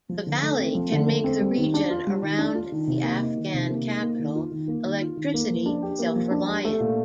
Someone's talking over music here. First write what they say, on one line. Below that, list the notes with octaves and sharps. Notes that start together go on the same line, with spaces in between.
The valley can make the region around the Afghan capital electricity self-reliant.
F3
D3
A3
C4
F3
D3
A3
C4
G3
D#3
D4
F4
G3
D#3
D4
F4
D#3
C3
A#3
D#4
D#3
C3
A#3
D#4
A#3
D#3
F4
D#3
A#3
D#3
F4
D#3
A#3
F3
D4
G4
A#3
F3
D4
G4
A3
A#2